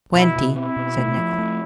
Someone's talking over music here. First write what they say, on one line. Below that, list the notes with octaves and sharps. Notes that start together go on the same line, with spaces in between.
"Twenty," said Nicholl.
B2 E4
B2
C4 E4
B2
A3
F3
A3